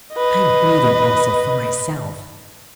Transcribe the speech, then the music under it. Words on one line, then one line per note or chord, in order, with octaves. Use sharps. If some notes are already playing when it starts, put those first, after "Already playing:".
I am grieving also for myself.
B4 D#5